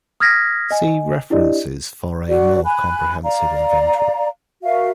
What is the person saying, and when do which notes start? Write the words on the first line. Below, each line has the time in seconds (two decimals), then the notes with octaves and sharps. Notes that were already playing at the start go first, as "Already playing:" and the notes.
See references for a more comprehensive inventory.
0.20 D#6 F6 G#6 A#6 B6
0.71 D#5 G#5
1.30 D4 E4 G4 D5 D#5
2.28 F#4 D5
2.64 G#5 B5 F#6
3.23 D5 F5 A#5
4.63 F#4 A#4 E5 F5